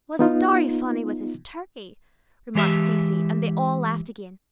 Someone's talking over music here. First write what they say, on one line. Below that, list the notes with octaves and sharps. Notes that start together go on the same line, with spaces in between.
"Wasn't Dorry funny with his turkey?" remarked Cecy; and they all laughed again.
B3 D#4 F4
E3 G#3 G4 E5